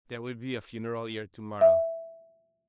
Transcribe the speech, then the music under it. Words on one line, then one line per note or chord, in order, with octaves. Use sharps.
"There will be a funeral here to-morrow."
E5